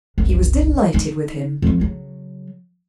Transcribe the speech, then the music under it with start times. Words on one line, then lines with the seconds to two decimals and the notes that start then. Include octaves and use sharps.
He was delighted with him.
0.18 F#1 C2
0.94 D#4
1.62 F2 F3
1.80 C#3 F#3